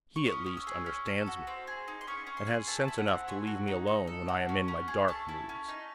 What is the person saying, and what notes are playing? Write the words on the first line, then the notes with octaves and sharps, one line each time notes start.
He, at least, understands me--and has sense enough to leave me alone when I am in my dark moods.
C#6
C#4 D#6
C#4
E6
G#4
C#4
A4
F#4
C4
G#4
D#4
C6
C#4 C#6
C#4
C6
G#4
A3 A5
E4
F#5
C4
A3 G#5
F#4
D#4
D#4
A4
F#4
C#4
C#4
G#4
A3 A5
E4
C#4
D#4